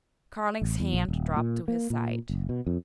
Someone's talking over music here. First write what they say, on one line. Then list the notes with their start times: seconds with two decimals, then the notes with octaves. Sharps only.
Carling's hand dropped to his side.
0.62 A1
0.80 E2
0.93 A#1
1.08 D#1
1.36 A#2
1.68 A#3
1.90 A#2
2.29 F#1
2.49 B2
2.67 F2